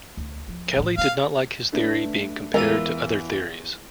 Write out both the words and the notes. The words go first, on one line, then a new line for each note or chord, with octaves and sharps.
Kelly did not like his theory being compared to other theories.
D2
F3
A1 D4
C4 F5
A3 D4 B4
E2 E3 G#3 F4 A#4 D#7